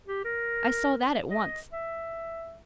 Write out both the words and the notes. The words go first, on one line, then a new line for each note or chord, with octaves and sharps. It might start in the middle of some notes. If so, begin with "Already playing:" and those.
I saw that at once.
G4
A#4
D#5
E5